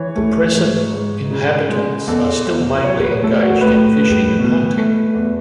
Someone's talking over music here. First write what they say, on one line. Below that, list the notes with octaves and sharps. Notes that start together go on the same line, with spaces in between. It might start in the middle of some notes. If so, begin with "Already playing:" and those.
The present inhabitants are still mainly engaged in fishing and hunting.
Already playing: E3 C#5
A3
G#2
G#2
C#3
G#3
E2 A4
E2
F#3 C#5
B4
A3 A4
F#4
A2 B4
A2
B2
A3
E2